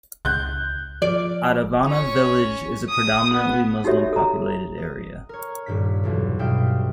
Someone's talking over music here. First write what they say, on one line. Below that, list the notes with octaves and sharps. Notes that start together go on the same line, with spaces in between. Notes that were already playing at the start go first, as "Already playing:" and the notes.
Edavanna village is a predominantly Muslim populated area.
C#2 F#6 G6
F3 D5
C#4 C#5
D#6
B3
D#4 F#4 G4 A4 C#5 E5
A4 A#5
D#5
A#4 C#5
D#1 G2 B6
B1 E2 B2
G2 B2 E5 F5 G5 D#6